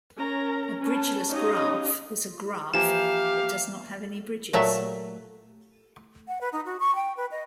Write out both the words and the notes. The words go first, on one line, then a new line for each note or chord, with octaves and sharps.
A bridgeless graph is a graph that does not have any bridges.
C#4 A#4 A#5
C#4 B4 A5
C#4 D#4 G4 D#5 F5
E3 F3 A#3 G4 F5 E7
A#2 F#3 A3 E5
F#5
B4
D#4
F#4
C#6
G5
B4
D#5